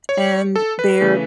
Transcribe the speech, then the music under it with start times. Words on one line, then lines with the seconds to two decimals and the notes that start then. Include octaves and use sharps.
and they're
0.09 C#5
0.56 A4
0.79 B4
1.01 C#3 E3 A3